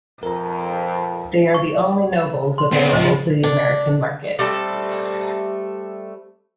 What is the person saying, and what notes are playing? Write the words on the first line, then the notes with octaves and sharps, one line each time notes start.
They are the only Nobles available to the American market.
F2 A#4 A#5
C#6
C6
B3 C4
C#2 F3 C5 D#5 F#5
D4
G3 A3 C4 A4